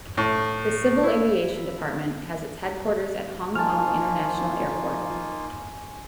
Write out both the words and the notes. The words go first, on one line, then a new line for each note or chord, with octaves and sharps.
The Civil Aviation Department has its headquarters at Hong Kong International Airport.
A2
E4
F3 A#3 D#4 F4 G#5 A5 C#6 F6